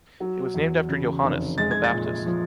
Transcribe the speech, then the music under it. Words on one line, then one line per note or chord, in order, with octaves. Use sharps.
It was named after Johannes, the baptist.
F#3
E2
C#3
F1
G#3 A6
G#6
A6
A#2
F3